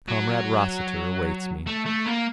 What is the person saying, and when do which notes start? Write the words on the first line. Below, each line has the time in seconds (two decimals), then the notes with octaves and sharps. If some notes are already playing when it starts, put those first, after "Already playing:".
Comrade Rossiter awaits me.'
0.08 F#3
1.67 A3
1.86 A3
2.06 A#3